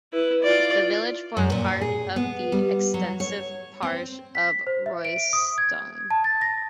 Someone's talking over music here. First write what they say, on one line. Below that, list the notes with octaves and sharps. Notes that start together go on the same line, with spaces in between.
The village formed part of the extensive parish of Royston.
E4 B4
F4 D5
F#2
A#2
G#4
B3
G3
F#3
C#5
C4
B6
C5
E5
D7
D#6
G#6
A5
A6
A#6